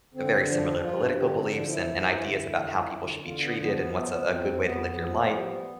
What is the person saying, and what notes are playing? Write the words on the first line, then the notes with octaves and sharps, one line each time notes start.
very similar political beliefs and and ideas about how people should be treated and what's a a good way to live your life,
D3 C4
F3 D4
G2 F4
D3 G4
C4
F3 D4
E4
G2
D3
F2
D3
D3 F4
B3
F3 B3
B3
F3 B3
F2 C4
F2 B3
F3
G3